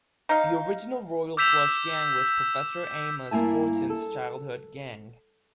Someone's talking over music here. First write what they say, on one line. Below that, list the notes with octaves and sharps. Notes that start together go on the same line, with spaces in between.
The original Royal Flush Gang was Professor Amos Fortune's childhood gang.
D#4 F5
D6 E6 G6 B6 E7 F7
G2 A#3 E4 G#5 A5
A4